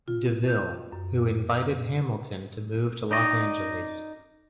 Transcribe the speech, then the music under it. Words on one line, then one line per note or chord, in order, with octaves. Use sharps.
DeVille, who invited Hamilton to move to Los Angeles.
F4
G6
F#2
D#4 D5 D#5